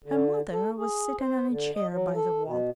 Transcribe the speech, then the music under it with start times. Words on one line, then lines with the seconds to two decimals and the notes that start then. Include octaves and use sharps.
Her mother was sitting on a chair by the wall.
0.05 D3
0.53 A4
0.78 G#4
1.20 C5
1.50 D3
1.76 D#5
1.92 F#3
2.15 A4
2.45 B2